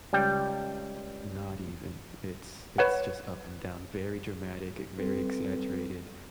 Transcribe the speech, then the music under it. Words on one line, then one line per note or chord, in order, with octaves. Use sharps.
Not even. It's it's just up and down, very dramatic, e very exaggerated.
C#2 G3 G5
B4 C#5 F#5
G3 C4 A4 B4